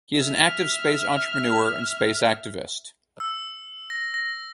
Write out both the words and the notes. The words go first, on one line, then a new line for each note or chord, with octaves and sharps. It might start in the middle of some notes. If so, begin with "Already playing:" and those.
He is an active space entrepreneur and space activist.
E5 F6
E6
A#6
A#6